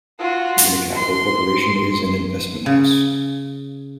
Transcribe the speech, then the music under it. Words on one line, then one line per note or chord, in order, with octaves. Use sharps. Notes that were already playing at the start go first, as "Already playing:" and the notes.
UniCapital Corporation is an investment house.
F4 F#4
C6
C#3